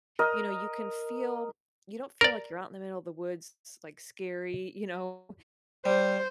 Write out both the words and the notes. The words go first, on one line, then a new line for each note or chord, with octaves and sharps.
you know, you can feel you don't feel like you're out in the middle of the woods, s like scary, you know,
A#4 D#5
A#4 D5
G3 C5